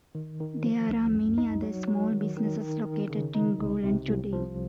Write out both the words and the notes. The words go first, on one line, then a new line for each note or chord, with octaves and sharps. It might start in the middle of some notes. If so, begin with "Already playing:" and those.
There are many other small businesses located in Gulen today.
D#3
D#3
F3
C#2
F#2
D#4
F#3
F#3
D#3
D#3
D#3
D#3
C#3
D#4
C2
C3
C2
F3